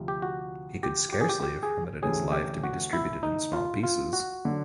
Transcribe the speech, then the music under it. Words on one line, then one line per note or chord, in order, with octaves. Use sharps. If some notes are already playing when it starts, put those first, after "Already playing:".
He could scarcely have permitted his life to be distributed in small pieces.
Already playing: D2 C3 F3
G4
F#4
G4
G4
G#4
G4
G4
G#4
D2 C3 E3 A3 C#4 G#4
G4
F#4
E4
D#4
F4
F4
F#4
D3 F#3